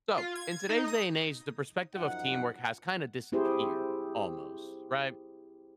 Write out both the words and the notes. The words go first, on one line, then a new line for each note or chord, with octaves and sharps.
So, in today's day and age, the perspective of teamwork has kinda disappeared, almost, right?
F4
G#6
D#4
D#6
F#2 F3 D#4 F#5
C4 E4 G4 G#4 C5